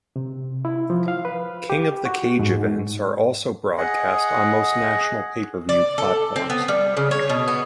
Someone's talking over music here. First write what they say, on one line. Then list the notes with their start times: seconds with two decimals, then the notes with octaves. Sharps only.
King of The Cage events are also broadcast on most national pay-per-view platforms.
0.16 C3
0.65 E4
0.90 F3
1.08 F5
1.25 B4
1.70 G4
2.05 F#4
2.39 G#2
3.77 G#4 D#5 F#5
5.69 D5
5.98 A4
6.36 C4
6.50 B3
6.68 G3
6.97 C#3
7.11 C#5
7.29 B2
7.48 B3